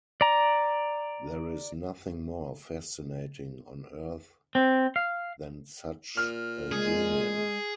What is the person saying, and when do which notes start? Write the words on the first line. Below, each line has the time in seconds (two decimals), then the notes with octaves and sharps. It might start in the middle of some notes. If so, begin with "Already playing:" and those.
There is nothing more fascinating on earth than such a union.
0.21 D5 A#5
4.55 C4
4.96 F5
6.17 A#2 F6
6.72 G#3 G#4